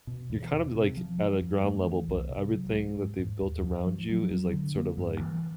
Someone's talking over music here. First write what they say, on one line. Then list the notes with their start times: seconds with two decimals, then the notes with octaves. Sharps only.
you're kind of d like, at a ground level, but everything that they've built around you is, like, sort of, like,
0.07 B2
0.30 E2
0.52 B2
0.75 C3
0.97 F3
1.18 F3
1.41 F2
1.63 A3
1.86 E3
2.08 C2
2.30 C3
2.53 F#3
2.75 G#3
2.97 G#2
3.19 G#2
3.42 D#2
3.64 F3
3.86 F3
4.09 F#3
4.31 F#3
4.53 D3
4.75 A#3
4.98 G2
5.20 E3